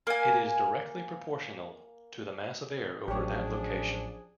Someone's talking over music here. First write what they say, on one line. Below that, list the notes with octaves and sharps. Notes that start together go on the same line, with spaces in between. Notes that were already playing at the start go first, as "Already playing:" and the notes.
It is directly proportional to the mass of air over that location.
A#3 G#5
A1 F3 F#3 C#4 D4 G4 G#4 C#5